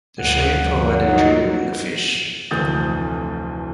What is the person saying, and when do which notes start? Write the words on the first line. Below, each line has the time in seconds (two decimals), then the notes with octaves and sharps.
The shade provided drew in the fish.
0.18 D2 G2 F3 F#5
1.04 F#3 D#4
2.51 F1 D2 E3 D#6 G6 A6